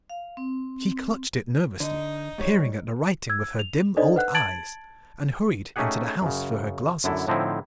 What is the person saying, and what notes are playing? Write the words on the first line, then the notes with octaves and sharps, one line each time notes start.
She clutched it nervously, peered at the writing with her dim old eyes, and hurried into the house for her glasses.
F5
C4
D3 D#4 D#5
G#2 G3 C#5
E6 G#6
F7
D4 D#4 A4 C5 D5 D#5
B4 F#5 F#6
A5 G#6 A6 D7 F#7
A3 C#4 D#4 G4 G#4 F#5
F#2 C#3
F#2 D3 E4 A4
A2 D3 F3 C4 D#4 E4